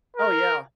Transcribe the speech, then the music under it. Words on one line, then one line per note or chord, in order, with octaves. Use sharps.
Oh yeah,
A#4